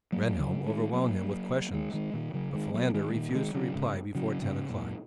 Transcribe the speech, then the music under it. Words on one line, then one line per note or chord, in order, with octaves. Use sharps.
Rehnhjelm overwhelmed him with questions, but Falander refused to reply before ten o'clock.
F#3 A#3
C#3 F#3
D#3 G#3
F#3 A#3
D#3 G#3
D#3 G#3
A#2 D#3
C#3 F#3
D#3 G#3
F#3 A#3
D#3 G#3
A#2 D#3
D#3 G#3
C#3 F#3
G#2 C#3
C#3 F#3
G#2 C#3
F#2 A#2